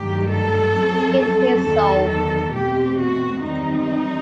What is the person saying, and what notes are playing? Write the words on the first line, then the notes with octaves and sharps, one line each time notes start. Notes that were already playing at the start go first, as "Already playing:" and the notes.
Skin his soul.
Already playing: G2 D#3 F#3 A3 G4
A4
F#2 F#3 C4
A4
E2 D#3 F#3 A4
A4
E2 B2 A3 C4 G4
F#4
E2 D#3 G3 C4 D#4